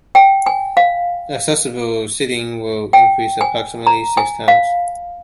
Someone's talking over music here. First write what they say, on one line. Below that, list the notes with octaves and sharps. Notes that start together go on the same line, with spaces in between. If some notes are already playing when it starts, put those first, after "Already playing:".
Accessible seating will increase approximately six times.
G5
G#5
F5
G5
G#5
A#5
G#5
F5